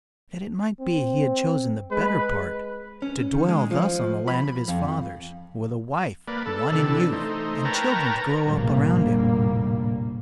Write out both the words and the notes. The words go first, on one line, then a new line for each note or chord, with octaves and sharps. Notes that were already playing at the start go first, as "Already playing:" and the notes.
Yet it might be he had chosen the better part, to dwell thus on the land of his fathers, with a wife won in youth, and children to grow up around him.
C4
G#3 B4
C#4
D#3
G#3
F3
B5
F2
A#3 B4 D5
A4
C3 E3 D4 A4
A3 D#4 C5
A#4 B4 C#5 G5 A5 A#5
F1 A#1 A2 G3 A#3